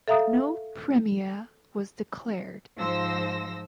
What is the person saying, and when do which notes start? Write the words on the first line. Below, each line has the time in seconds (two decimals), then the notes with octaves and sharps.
No Premier was declared.
0.08 A4 E5 F5 A#5 D#6
2.77 G#2 F3 C5 E6 A#6